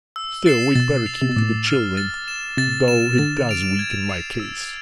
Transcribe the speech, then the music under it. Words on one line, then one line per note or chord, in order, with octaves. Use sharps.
Still we'd better keep to the children, though it does weaken my case.
E6
A6 C7 E7
B2 A6
C7 F7
C3
B2
A2 D6
F6 A6
A6
E7
C3 A6
E7
D3 A6
D7 F7
G#6
C7 E7
E6